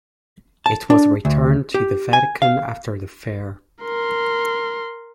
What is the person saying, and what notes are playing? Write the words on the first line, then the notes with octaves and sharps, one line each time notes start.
It was returned to the Vatican after the fair.
A5
D4
D2
G4
G#5
F5
A#4 C6